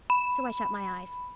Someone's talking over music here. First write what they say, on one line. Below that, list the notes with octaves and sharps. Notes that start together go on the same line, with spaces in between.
So I shut my eyes.
B5